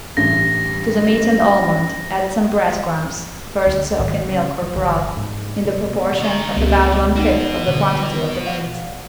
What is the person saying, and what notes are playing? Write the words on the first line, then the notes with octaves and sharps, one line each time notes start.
To the meat and almond add some bread crumbs, first soaked in milk or broth, in the proportion of about one fifth of the quantity of the meat.
A1 G2 G3 A#6
D2
G#1
C#3
F3
G1
G#2
C3
B2
D3 D5 D#5 A#5 C#6
C#2 B2 A3 C4 G4
G#3 D#4 F#4 B4
B2 D3
D5 F5 F#5